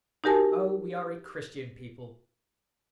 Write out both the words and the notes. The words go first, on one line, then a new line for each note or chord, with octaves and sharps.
Oh! we are a Christian people!
D#4 F#4 G4 A#4 G#5 A5